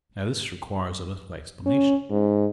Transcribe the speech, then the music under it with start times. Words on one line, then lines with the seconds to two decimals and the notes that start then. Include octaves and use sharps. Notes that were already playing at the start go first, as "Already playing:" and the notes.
Now this requires a little explanation.
1.66 C#4
2.10 G#2